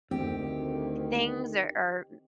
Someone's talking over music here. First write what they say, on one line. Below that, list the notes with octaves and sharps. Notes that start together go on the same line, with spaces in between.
things or or,
D2 D#3 C4 G4